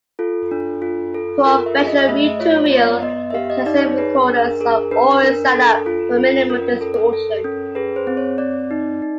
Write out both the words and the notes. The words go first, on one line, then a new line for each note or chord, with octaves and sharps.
Professional reel-to-reel and cassette recorders are always set up for minimal distortion.
F4 A4
D4
F4
A4
F4 A#4
E5
G#4
D#5
D#5
A3 E5
D#5
F4 C#5
C#5
B3 D5
B3 D#5
E5
G4 F5
D#5
D#4 D5
C#5
G#4 B4
D4
A#4
G#4 A#4
D4 B4
D4 A#4
A4
F4 A4
F4
C#4 A#4
A4
A4
C#4
G#4 B4
C5
C4
C#5
C4 D5
D#4
D#4